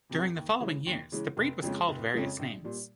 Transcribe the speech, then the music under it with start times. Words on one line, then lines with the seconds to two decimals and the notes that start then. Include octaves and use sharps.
During the following years the breed was called various names.
0.09 F2 C3 E3
0.36 D#2
0.60 C#3 E3 G#3
0.86 D#2
1.12 C#3 E3 G#3
1.37 F1
1.62 F2 C#3 F3 G#3
1.89 F1
2.14 F2 C#3 F3 G#3
2.39 A#1
2.64 A#2 G3